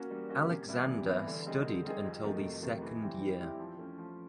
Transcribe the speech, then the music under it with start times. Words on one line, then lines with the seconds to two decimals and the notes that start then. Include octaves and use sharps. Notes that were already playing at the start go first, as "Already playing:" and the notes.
Alexander studied until the second year.
Already playing: A#3 C#4 F#4
0.11 G3
0.29 A#3 C#4 F#4
0.49 C3
0.68 E3 G3 B3 E4
0.88 C3
1.07 E3 G3 B3 E4
1.27 D3
1.47 G3 C4 D#4 G#4
1.65 D3
1.85 G3 C4 D#4 G#4
2.04 F2
2.24 C3 D#3 F#3 A3
2.43 F2
2.62 C3 D#3 F#3 A3
2.82 E3
3.01 G3 C4 E4 G4
3.20 E3
3.39 G3 C4 E4 G4
3.59 F3
3.78 A3 C#4
3.98 F3